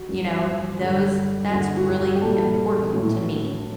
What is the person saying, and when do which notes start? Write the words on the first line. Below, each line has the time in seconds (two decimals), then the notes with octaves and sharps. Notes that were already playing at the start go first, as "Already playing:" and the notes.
You know, those that's really important to me
Already playing: F#4
0.09 G2 F#3
0.80 G2 D3 G3
1.51 G2 D3 F#3
1.77 F#4
1.87 G4
2.16 G4
2.22 A#2 G3 A4
2.93 A2 F#3